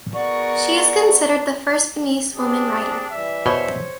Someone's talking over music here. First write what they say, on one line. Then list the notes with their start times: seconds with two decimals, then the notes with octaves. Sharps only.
She is considered the first Beninese woman writer.
0.14 B3 F#4 G#4 A#4 D5 C#6
2.35 C4 D4 G4 G#4
3.10 E3 G3 E5
3.46 B2 C5 C#5 C6